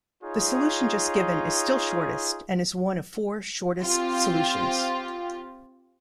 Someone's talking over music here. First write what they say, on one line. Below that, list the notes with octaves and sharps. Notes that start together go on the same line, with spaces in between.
The solution just given is still shortest, and is one of four shortest solutions.
D#4 F4 G#4 C#5
C4 F4 G4